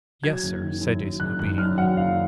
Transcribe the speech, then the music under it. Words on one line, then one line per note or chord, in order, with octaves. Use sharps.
"Yes, sir," said Jason obediently.
F#3 G#6
F#1
D#3
F#2
F#3
F#1 F#6
D#3 F#6
F#2 F6
F#3 F#5
F#1 F5